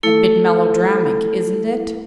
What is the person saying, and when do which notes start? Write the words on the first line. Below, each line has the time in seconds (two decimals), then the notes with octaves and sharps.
A bit melodramatic, isn't it?
0.03 A3 E4 A4